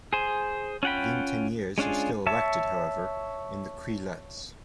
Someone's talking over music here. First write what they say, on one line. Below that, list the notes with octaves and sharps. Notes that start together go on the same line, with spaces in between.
Vingteniers are still elected, however, in the cueillettes.
G#4 C5
C#4 F4 F#5 G5 B5
G#3 C#4 D4 F4 G#4
C#5 E5 A5